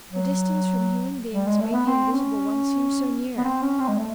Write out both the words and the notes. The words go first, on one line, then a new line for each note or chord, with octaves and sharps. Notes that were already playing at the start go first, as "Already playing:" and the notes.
The distance from human beings made the Invisible One seem so near!
F#3
G3
G#3
A3
B3
C4
C#4
B3
C4
C#4
C4
G#3
A3